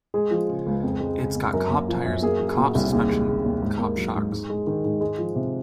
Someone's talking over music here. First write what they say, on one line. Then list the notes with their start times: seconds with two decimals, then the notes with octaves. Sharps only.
It's got cop tires, cop suspension, cop shocks.
0.14 G#3 G#4
0.31 F3
0.49 C#3
0.66 C#2
0.83 F2
1.00 G#3
1.19 C#3
1.36 F2
1.53 F#2 A#4
1.71 A#3
1.88 F3
2.06 F#2
2.22 A#3 G#4
2.40 F#3
2.48 G#4
2.57 A#2 F#4
2.75 C2
2.93 D#2 G#4
3.10 G#3
3.28 C#3
3.44 D#2
3.63 G#2
3.79 A#3
3.97 F#3
4.14 G#2
4.31 G#2
4.50 G#3
4.67 D#3
4.84 G#2
5.01 G#3
5.18 F3
5.36 C3